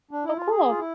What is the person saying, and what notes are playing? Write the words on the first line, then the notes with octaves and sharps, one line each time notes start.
Oh, cool.
D4
E4
F4
G#4
F4
E4